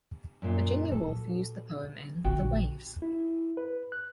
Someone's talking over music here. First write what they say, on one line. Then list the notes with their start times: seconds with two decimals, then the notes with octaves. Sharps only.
Virginia Woolf used the poem in "The Waves".
0.42 F#2 A#2
0.92 A#2 F#3 A4
2.24 A#1 D3 F#4 G5
3.02 E4
3.57 B4
3.92 F#6